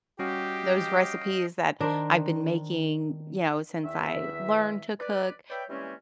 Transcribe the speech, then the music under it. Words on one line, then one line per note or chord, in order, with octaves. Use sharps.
those recipes that I've been making, you know, since I learned to cook.
G3 C#4 F#4 G4 D#5 F5 G5
D#3 D4 A#4 C5
E2 D#3 E5
B4 D5
B4 C#5 D5 E5 G5
E3 G3 G#3 A#3 C4 C#4